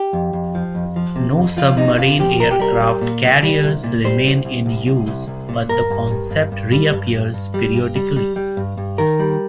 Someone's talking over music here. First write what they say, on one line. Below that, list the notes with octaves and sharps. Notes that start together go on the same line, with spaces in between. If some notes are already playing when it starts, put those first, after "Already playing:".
No submarine aircraft carriers remain in use, but the concept reappears periodically.
Already playing: G4
F2
F2
F3
F2
F3
C3
F2
F3 F4
C3 D#4
C3 F4
F3 G4
C2 A#4
G4
G3 A#4
G3
A#2
C2
G3
C2
A#2
G3 C5
C2
C2
C2
C2
C2
C2
A#2
G2 A#4
G2
G2
G2
G2
G3
G2
G2
G2
G3
G2
G3
G3
G3
G2
G2
D#3 A#4
G3